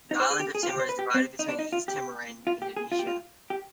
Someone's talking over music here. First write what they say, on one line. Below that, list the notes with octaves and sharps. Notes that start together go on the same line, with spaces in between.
The island of Timor is divided between East Timor and Indonesia.
D#4
C5
G#4
G4
G#4
F4
G4
C5
B4
G4
C4
D#4
D4
D#4
F4
G4
F4
G4
G#4
F4
G4
F4
G4